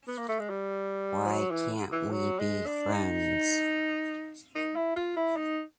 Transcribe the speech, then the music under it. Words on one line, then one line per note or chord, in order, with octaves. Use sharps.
Why Can't We Be Friends?
B3
A#3
A3
G#3
G3
F3
F#3
E3
E3
F#3
G#3
D4
D#4
D#4
E4
F4
E4
D#4